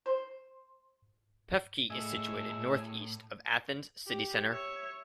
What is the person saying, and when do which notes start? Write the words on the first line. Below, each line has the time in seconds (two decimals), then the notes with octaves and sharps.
Pefki is situated northeast of Athens city centre.
0.06 C5
1.90 A2 G#4 D#5 E5
4.07 G4
4.48 C#5 E5